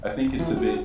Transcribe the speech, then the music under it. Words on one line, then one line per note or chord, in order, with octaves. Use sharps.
I think it's a bit,
D#1
D1 E3
F#4